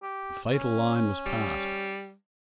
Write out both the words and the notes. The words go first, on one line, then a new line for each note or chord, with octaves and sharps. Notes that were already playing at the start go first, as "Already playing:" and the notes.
The fatal line was past.
G4
C#4
G3